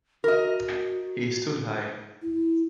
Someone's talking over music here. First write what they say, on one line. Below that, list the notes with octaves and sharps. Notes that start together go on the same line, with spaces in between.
He stood high.
F#4 A#4 D#5
E4